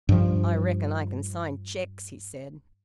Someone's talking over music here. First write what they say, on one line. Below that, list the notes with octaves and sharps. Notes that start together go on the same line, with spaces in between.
"I reckon I can sign cheques," he said.
G2 F3